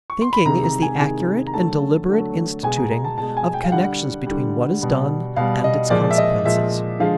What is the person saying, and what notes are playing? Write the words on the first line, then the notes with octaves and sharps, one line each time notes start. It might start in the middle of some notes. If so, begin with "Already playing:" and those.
Thinking is the accurate and deliberate instituting of connections between what is done and its consequences.
C#6
C6
B5
C3 D#3 G#3 A#5
A#5
G#5
C3 D#3 G#3 G#5
A#5
D3 F#3 A3 A5
D3 F#3 A3
B2 G#3 G#5
A#5
A#5
A5
B2 G#3 A5
G#5
G5
F5
D3 G3 F#5
D3 G3
B2 G3
B2 G3 F5
D#5
A#2 F3 G#3 D5
E5
D#5
A#2 F3 G#3 E5
D3 F3 G#3 F5